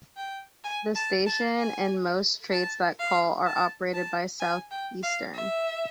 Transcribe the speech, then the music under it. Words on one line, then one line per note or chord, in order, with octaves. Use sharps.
The station and most trains that call are operated by Southeastern.
G5
G#5
A5
A5
G#5
A5
F5
A5
A5
G#5
G5
F5
E5